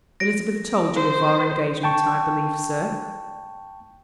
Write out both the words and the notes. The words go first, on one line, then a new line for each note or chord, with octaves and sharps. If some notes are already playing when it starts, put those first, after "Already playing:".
"Elizabeth told you of our engagement, I believe, sir?"
A#6 D7
C5
G5 A5 C#6